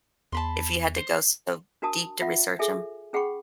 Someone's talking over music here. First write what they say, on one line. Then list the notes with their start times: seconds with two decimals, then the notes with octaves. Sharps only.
if you had to go so deep to research 'em?
0.32 E2 A5 B5 C6
0.96 C5
1.82 D4 F#4 A#4 A5 D#6
2.21 F4 E5 F#5
2.59 G#4 A4 E5 G#5
3.13 C#4 G#4 F#5 G5 B5 C#6